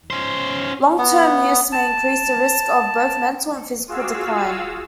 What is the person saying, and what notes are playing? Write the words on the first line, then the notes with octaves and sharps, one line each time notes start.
Long-term use may increase the risk of both mental and physical decline.
C#4 C5
B3
A5
F4 F#4 G#4 F5 E6